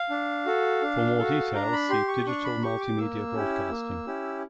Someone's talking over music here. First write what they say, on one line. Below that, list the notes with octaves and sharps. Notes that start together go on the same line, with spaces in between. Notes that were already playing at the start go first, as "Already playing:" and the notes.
For more details see Digital Multimedia Broadcasting.
Already playing: F5
D4
F#4 A4
D4
F#4 A4
D4 A#5
B5
G4 C6
C#6
D4 C#6
B5
G4 C#6
D6
A#3 E6
C#4 E4 G4
A#3
C#4 E4 G4